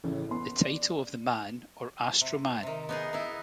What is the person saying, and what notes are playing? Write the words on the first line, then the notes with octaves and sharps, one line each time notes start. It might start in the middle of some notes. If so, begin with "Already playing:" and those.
The title of the Man or Astro-man?
A1 A2 C#3
B3 C6
D5
C3
C3 D#3
B3 D#4 G#4
B3 D#4 E4